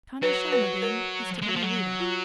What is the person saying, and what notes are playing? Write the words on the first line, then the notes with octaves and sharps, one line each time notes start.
Connie Shelmardine used to call me Rita.
F#3 B4
B4
A#4
G#3
F#3
F3
F#3
F4